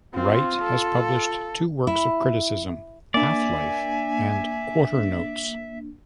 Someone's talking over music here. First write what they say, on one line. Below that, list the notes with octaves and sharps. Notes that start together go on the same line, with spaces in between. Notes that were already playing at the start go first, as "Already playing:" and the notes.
Wright has published two works of criticism, "Halflife" and "Quarter Notes".
C4 F4
A4
E4
A#3 D4 D5 E5 G#5